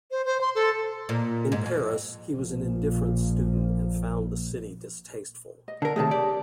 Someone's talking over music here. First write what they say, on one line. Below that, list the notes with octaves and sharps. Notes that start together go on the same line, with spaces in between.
In Paris, he was an indifferent student and found the city distasteful.
C5
C5
C6
A4
A#2
G#2
F2
A#1 A#2 F3
D#5
D3 A#4 A5
C3 D#3 A3 G#4 C#5 A5
G4 D5